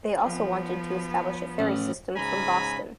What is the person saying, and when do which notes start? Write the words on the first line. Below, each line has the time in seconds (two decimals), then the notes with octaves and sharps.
They also wanted to establish a ferry system from Boston.
0.24 F3 B3
1.59 A1
2.16 G#2 C#3 G#5 A#5 B5